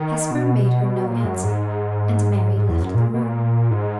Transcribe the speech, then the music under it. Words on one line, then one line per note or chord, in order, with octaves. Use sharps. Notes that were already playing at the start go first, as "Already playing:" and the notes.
Hesper made her no answer, and Mary left the room.
Already playing: D#3
B2
A#2
F#2
G#2
G#2
E2
F#2
A#2
B2
A#2
G#2